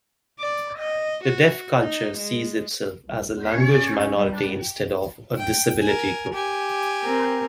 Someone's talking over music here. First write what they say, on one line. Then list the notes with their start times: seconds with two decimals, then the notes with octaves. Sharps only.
The deaf culture sees itself as a language minority instead of a disability group.
0.40 D5
0.79 D#5
1.25 F#4
1.80 D#4
2.18 G#3
3.04 C2
3.33 E2
3.55 C#4
4.16 G3
4.41 G3
5.37 G5
5.82 A#4 G#5
6.33 G4 G#5
7.05 C4 A#4